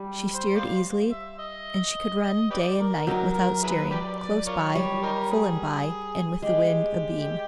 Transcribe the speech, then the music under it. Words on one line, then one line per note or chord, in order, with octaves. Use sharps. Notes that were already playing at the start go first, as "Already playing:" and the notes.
She steered easily, and she could run day and night, without steering, close-by, full-and-by, and with the wind abeam.
Already playing: G3
C5
C5 D5 F5
E5
D#5
D#5
G4 B4 D5
A#4
F#3 D#4 G4 A#4
A#4
E4 G#4 B4
G4 B4 D5
D5
F4 A#4 C#5
G3 C#5
D#4 G4 A#4
G#4
G#3 G4